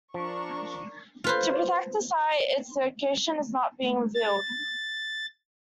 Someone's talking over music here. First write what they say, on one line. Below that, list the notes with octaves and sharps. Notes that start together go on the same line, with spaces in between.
To protect the site its location is not being revealed.
F3 D4 A#4 C#6
F4 B4 C5
A6